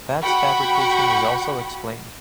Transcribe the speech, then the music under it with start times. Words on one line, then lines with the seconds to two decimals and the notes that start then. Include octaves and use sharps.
Bats fabrication is also explained.
0.23 F#4 F#5 G5 B5 C#6